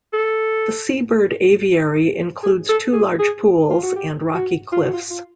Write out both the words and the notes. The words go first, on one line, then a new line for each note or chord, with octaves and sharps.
The seabird aviary includes two large pools and rocky cliffs.
A4
G#4
A4
G#4
G#4
F4
F#4
G4
F#4
F4
F#4
F4
F4